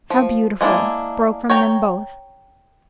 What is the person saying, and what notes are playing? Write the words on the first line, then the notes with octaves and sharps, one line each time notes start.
'How beautiful!' broke from them both.
F3
G#3 A#3 D4 E4
C#5 G5 A#5